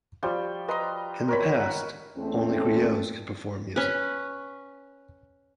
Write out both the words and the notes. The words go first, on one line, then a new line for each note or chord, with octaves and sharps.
In the past, only "griots" could perform music.
F3 G3 G5 C#6
B4 D#5 A#5 C6
A#4 C#5 B5
F#5
E2 A3 C4 C#4 A4
C#4 B4